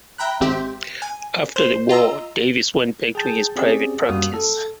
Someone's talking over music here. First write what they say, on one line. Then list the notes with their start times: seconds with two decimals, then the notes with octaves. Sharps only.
After the war, Davies went back to his private practice.
0.18 E5 G5 A#5 B5 F#6
0.40 G#1 C4 G4 E5
1.02 G#5
1.56 C5
1.89 F4 D#5 A#5 E6
3.15 G#4 G5 A5 G6
3.56 C4 C#4 F4 G4 G#4 D5
4.09 F#2 G3 A#3 F#4 F5 D#6
4.34 A4